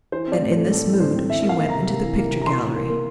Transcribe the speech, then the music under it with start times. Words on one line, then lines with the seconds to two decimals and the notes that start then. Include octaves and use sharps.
And in this mood she went into the picture-gallery.
0.12 E3 C5
0.27 C4 D5
0.42 A2
0.52 A3 C5
0.71 C4 A4
0.86 E3
1.00 A2 C5
1.15 C4
1.29 E3 E5
1.44 A#3
1.49 F5
1.59 A#3
1.69 C3 A#5
1.88 A#3
2.02 E3
2.17 A#3
2.31 C3
2.41 A#5
2.46 E3 C6
2.61 E3
2.76 A#3
2.90 A#3